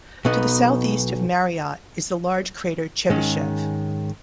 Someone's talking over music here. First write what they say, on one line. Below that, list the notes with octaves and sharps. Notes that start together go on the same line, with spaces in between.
To the southeast of Mariotte is the large crater Chebyshev.
B1 B2 B3 D#4
G#2 D#3 G#3 C#4